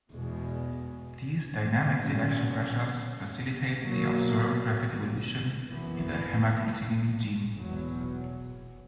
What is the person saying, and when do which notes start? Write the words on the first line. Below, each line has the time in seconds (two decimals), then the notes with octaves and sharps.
These dynamic selection pressures facilitate the observed rapid evolution in the hemagglutinin gene.
0.10 E2 B2 G#3
1.97 A#2 F#3 C#4
3.83 B2 F#3 A#3
5.69 F#2 E3 B3
7.55 E2 B2 F#3